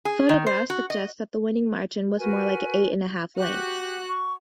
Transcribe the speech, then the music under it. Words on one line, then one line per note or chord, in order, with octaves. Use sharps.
Photographs suggest that the winning margin was more like eight and a half lengths.
G#4
D#3
C5
F#4
D#5
F#4 A#4 B4 G#5
F#4 G4 F#6
C#6